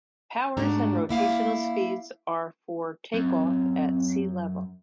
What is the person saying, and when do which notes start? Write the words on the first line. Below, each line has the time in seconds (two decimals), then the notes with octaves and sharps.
Powers and rotational speeds are for take-off at sealevel.
0.57 G#2 A3 D4 F#4 A#5
1.09 A#3 E4 F5
3.14 F#2 C4